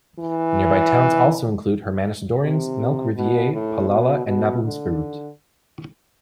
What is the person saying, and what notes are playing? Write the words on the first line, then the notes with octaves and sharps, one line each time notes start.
Nearby towns also include Hermanusdorings, Melkrivier, Palala and Naboomspruit.
E3
C3
B2
A2
B2
B2
D3